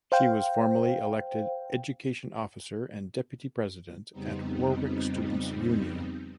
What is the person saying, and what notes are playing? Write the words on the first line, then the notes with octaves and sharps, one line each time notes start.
She was formerly elected Education Officer and Deputy President at Warwick Students’ Union.
C5 F5 G5
F2 C#3 G3 B3 C4 D#4